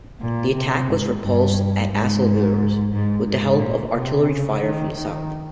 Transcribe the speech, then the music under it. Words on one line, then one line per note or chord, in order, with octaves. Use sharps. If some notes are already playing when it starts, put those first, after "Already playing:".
The attack was repulsed at Assevillers, with the help of artillery-fire from the south.
A#2
C3
G#2
G2
G#2
G#2
G#2
A#2
C3
C#3
D#3
D#3